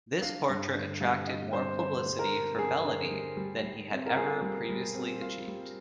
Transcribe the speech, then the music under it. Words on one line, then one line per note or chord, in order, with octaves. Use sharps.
This portrait attracted more publicity for Bellany than he had ever previously achieved.
D4 F5
G2
D3
G3 F5
D4 D#5
G2 C5
D3 C5
G3
A#4
D4
G2 G#4
D3
G3
G3
G3
C4
A#4
F4 G#4
G3
G3
C4
F4
G3